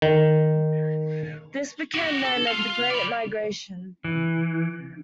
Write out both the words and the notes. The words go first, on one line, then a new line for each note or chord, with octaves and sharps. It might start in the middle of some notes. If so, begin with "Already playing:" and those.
This became known as the Great Migration.
D#3
F#4 G4
A4
F4 F5
D5 B5
E3